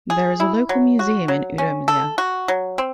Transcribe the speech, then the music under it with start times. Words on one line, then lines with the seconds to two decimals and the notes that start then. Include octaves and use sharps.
There is a local museum in Udomlya.
0.10 G#4
0.40 E4
0.69 F#3
0.99 F#4
1.28 F#3
1.58 C#4
1.88 A4
2.18 F#4
2.48 F#3
2.78 C4